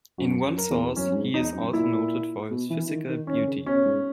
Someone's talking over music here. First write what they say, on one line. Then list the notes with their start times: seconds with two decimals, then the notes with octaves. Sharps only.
In one source, he is also noted for his physical beauty.
0.18 F#2 F#4
0.44 F#2
0.58 A#4
0.70 E2
0.96 F#2 C#4
1.11 F#2
1.15 G#2
1.34 E2 D#4
1.54 F#2
1.73 A#2 E4
2.51 B2
2.70 E3
2.89 D#3
3.09 D#3
3.27 D#3 C#4
3.48 C#3
3.66 B2 C#4
3.85 G#2